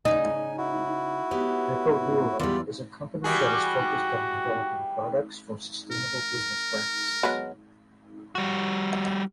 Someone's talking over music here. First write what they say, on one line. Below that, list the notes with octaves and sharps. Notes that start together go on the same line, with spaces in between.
EcoDuro is a company that is focused on developing products for sustainable business practices.
C#3 C#4 D#4 G#5
E4 F#4
B3 G4 C#5
E2 G3 G#3 B3 F4 D5
E3 G3 F#4 G#4
A#4
F#3 G#3 B3
G3 F#4